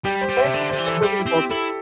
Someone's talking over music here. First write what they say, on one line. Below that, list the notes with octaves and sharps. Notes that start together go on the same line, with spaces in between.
there is something that feels indulgent.
G3 G4
C5
G3
E5
C3
D3 D5
D3 C5
E3
A4
G3 G4
E4
C4
G4
E4 A4